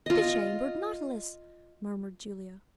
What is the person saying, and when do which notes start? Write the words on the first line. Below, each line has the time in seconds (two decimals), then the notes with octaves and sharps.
"The Chambered Nautilus," murmured Julia.
0.06 F4 D#5